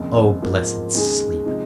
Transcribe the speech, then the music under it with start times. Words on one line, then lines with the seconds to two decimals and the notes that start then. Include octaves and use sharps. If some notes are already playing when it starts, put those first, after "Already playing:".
O blessed sleep!
Already playing: F1 D#2 C#3
0.42 G#2 F3 A#3
0.94 D#2 C#3 G#3 D#4 G#4
1.45 C3 F3 G#3 D#4